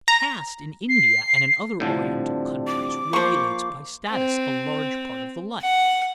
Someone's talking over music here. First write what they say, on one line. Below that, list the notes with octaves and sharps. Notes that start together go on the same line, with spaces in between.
Caste in India and in other Oriental countries regulates by status a large part of the life.
A#5
C7
A2 D3 F3 G3 C4 D4
D6
F3 A#3 C5 C#6
C4
F#5